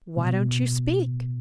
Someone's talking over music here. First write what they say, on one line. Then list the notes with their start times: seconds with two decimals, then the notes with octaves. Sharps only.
Why don't you speak?
0.17 B2